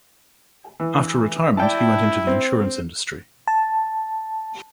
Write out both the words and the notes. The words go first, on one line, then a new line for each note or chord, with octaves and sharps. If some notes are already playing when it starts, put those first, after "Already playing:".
After retirement, he went into the insurance industry.
E3
E4 D5 G5 A5
C4
A5